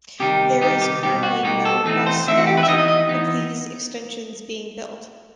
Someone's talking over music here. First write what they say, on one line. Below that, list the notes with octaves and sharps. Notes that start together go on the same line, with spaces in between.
There is currently no prospect of these extensions being built.
C3 D#3 G3 D#4 G4
C3 D#3 G3 D#4 G4
G4
B2 G3 B3 D#4 G4
F#4
B2 G3 B3 D#4 G4
A4
E3 A3 C4 D#4 A4
C5
E3 A3 C4 D#4 E5
F#4
G4
B4
E5
E3 B3 D#4 D#5
D#5
D#5
E3 B3 D#4